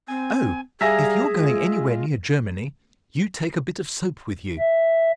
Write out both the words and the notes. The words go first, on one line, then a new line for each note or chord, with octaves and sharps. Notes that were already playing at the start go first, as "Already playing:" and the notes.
"Oh! if you're going anywhere near Germany, you take a bit of soap with you."
C4 G#5
G3 G#4 E5 F5 G#5 A#5 A#6
G#3 F4
E5